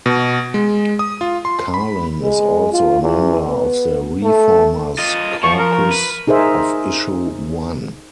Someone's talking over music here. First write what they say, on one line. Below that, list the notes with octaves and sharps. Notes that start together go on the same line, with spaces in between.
Carlin is also a member of the ReFormers Caucus of Issue One.
B2
G#3
D#6
F4
C6
B5
G#3
F4
E2
B3
A3
F4 D#5
F3 C#6
A#4
B4
D#4 G#4 A#4 C5 E5